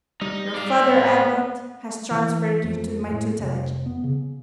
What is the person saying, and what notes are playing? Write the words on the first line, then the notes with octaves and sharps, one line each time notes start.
Your father-abbot has transferred you to my tutelage.
G3 D#4
D5 F5
C4
E3
F2
A2
F1
B3
C#3